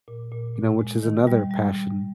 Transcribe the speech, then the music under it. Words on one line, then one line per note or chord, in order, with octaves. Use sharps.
you know, which is another passion
A#2
A#2
A#2
G#3
D#3
G3
G3
G3